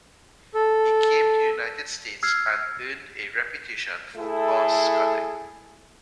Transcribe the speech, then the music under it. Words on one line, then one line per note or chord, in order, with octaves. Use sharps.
He came to the United States and earned a reputation for cost cutting.
A4
E6 F6 G#6 C7
A3 E4 G#4 A4